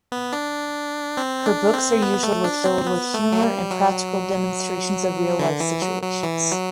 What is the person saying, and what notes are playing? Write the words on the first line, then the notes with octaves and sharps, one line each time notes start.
Her books are usually filled with humour and practical demonstrations of real life situations.
B3
D4
C4
D4
C4
B3
A3
D4
C4
B3
A3
F#3
G3
F#3
D3
E3
F#3
F#3
E3
F#3